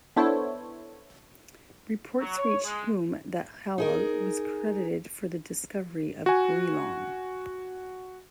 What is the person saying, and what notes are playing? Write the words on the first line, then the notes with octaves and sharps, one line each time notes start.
Reports reached Hume that Hovell was credited for the discovery of Geelong.
B3 D4 E4 A4 C5 C#5
F#3
C#5
G#3
D#4 G#4 A#4
F#4 G#5